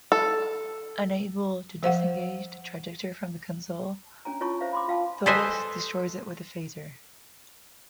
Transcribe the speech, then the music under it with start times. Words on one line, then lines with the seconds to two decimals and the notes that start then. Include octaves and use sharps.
Unable to disengage the trajector from the console, Torres destroys it with a phaser.
0.12 A4
1.83 F3 C5 F5 F#5
4.25 C#4 D4 C#5 G#5 A#5
4.41 C#4 E4 F4 C#5 A5 C#6
4.61 C5 E5 F5
4.73 B5 C6 D6
4.88 F4 F5 G5 A5
5.26 A4 B4 C5 D#5 G#5